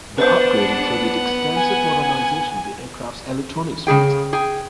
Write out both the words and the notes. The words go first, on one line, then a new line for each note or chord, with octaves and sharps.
The upgrade included extensive modernisation of the aircraft's electronic suite.
B3 D4 B4 C5 F#5
G#5
C#3 G3 G#4 G5
G#4 G5